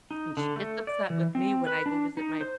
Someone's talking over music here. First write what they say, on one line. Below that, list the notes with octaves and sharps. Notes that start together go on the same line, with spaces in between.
and she gets upset with me when I go visit my
D#4
D3
A3
D5
E3
C4
B4
D4
D#4
C5